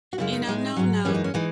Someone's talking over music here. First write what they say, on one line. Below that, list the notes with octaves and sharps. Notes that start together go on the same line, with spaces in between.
you know, "No, no."
F#4
F#2 C#3 G#3 E4
D#4
A2 G#3
G#2 F#3
F#2 E3 G#3 C#4
D#4
C#4
E3 G#3 D#4